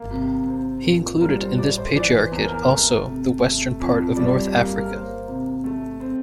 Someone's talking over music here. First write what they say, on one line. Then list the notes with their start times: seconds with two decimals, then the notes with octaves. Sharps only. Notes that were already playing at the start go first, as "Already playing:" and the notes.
He included in this patriarchate also the western part of North Africa.
Already playing: A#3
0.10 C3
0.48 C4
0.85 A#2
1.21 G3 A#4
1.41 C5
1.58 A2 D5
1.77 C5
1.95 E3 D5
2.20 C5
2.31 E2
2.44 A#4
2.69 A3
3.06 C3
3.42 A3
3.80 F2
4.16 G3 D5
4.53 A#3
4.78 A#4
4.90 A#3 C5
5.27 C3
5.64 A3
6.00 C4